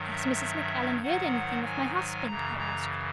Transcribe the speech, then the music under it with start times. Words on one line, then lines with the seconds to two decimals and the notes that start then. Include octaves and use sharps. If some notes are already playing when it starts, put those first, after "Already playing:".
"Has Mrs. Macallan heard anything of my husband?" I asked.
Already playing: G2 D#3 F#3
0.09 E5
1.03 G#2 D#3 F#3 F#5
1.65 G#5
1.95 G#5
2.27 F#2 C#3 E3 A#5
2.58 A#5